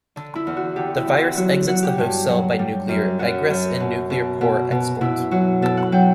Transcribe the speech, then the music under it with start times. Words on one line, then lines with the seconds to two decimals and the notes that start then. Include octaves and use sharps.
The virus exits the host cell by nuclear egress, and nuclear pore export.
0.16 D3
0.35 E4
0.47 E2
0.57 F#4
0.76 D3 G4
0.97 E4
1.07 E2
1.17 F#4
1.37 F#3 F#4
1.68 F#3 F#4
1.83 G4
1.98 G2
2.29 F#3
2.59 G3
2.89 F#2
3.19 F#2 F#4
3.50 F#2
3.80 B2
4.10 B2
4.41 B2
4.71 B2
5.01 B2 E4
5.31 F#3 F#4
5.62 B2 A4
5.77 F#5
5.92 F#3 G5